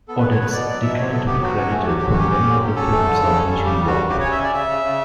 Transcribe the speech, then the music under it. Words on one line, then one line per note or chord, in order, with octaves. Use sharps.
Odets declined to be credited for many of the films on which he worked.
B3 A4
B4
B3
C#5
B3 B4
B2 D5
F#3 D5
B2 E5
F#3 C#5
B3 A4
B3 G4
F#3 F#4
C#4
A3
F#4
F#3 G4
G4
F#3
F#4
C#4 G4
C#4
D3
F#3
C#4 A4
A3
D3
C#3
C#4
G3
C#3 G4
G3
F#4
C#3
C#3 G4
C#5
C#4
E5
C#3 D5
C#3 E5
C#3
C#3